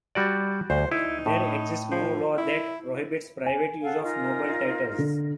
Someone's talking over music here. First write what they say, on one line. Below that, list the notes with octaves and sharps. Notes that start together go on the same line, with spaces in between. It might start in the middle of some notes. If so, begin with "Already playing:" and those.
There exists no law that prohibits private use of noble titles.
G3 F#4 D5
D2 C5
D#4 E4
A2
F3
E4
G#5
A4 F5 F#5
D#4 F4 A#4
D3